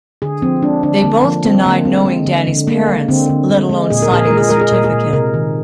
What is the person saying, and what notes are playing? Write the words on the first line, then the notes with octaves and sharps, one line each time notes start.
They both denied knowing Danny's parents, let alone signing the certificate.
D3 G#4
F3 C4
G#3 D4
D3 D4
D3 A#3
F3
G#3 C4
D3 A#3
G#3 C4
G#3
D3
D3
G#3 A#3
G#3
D3 C4
D3
G#3
G#3
A#2 G#4
A#4
A#2 G#4
A#4
G#3
G#4
G#3 A#4
G#4
A#2 A#4
G#4
A#2
C3 A#4
D#3